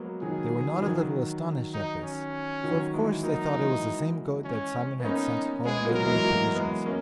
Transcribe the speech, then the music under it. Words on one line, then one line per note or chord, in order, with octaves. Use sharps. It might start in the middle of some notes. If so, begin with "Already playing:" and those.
They were not a little astonished at this, for of course they thought it was the same goat that Simon had sent home laden with provisions.
Already playing: F#3 G#3 A#3 B3
D#3 F#3 G#4
E3
D#3 F#3
D#4
C#4
D#3 F#3
E3 G#3
F#3 A#3 D#4
E3 G#3
C#4
B3
A#3 C#4 D#4
G#3 B3 G#4
F#3 A#3
A#4
E3 G#3
F#3 A#3
G#3 B3
A#3 C#4